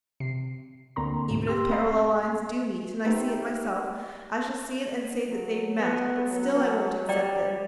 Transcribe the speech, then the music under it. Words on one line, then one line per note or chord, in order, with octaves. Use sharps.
Even if parallel lines do meet and I see it myself, I shall see it and say that they've met, but still I won't accept it.
C3 C7
D2 D3 A#3 C4 A#5 C6
D2 G#2 B2 A3
G4 C6 E6
A3 C4 D#5 F5 A#5 C7
A3 B3 C4 D#4 G4 A#4
F#3
A3 B3
F#3
G3 D5 G5